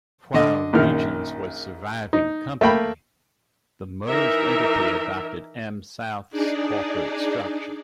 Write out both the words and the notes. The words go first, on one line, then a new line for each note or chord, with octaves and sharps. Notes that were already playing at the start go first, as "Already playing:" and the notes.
While Regions was surviving company, the merged entity adopted AmSouth's corporate structure.
D3 D#5
A#1 F#2 D#3 F6
D#4
A3 A#3 G5 B5
E3 D#4 A#4 E5
D4 D#4 G#4 D5